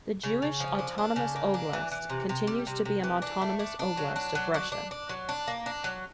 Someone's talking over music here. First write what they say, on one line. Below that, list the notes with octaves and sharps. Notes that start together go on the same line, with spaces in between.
The Jewish Autonomous Oblast continues to be an Autonomous Oblast of Russia.
C#3
C#3
F3
D4
D4
C#3
A#3
D4
E3
E3
C3
C3
G3
C3
C3
E3
D4
A3
D4
D4
F#3
D4
F#3
D4
D4
D4
F#3
D4
A#3
D4
F#3